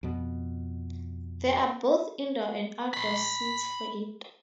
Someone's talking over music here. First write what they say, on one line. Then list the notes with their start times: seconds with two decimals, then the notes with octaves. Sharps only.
There are both indoor and outdoor seats for it.
0.03 F2 B2
2.94 B5 C6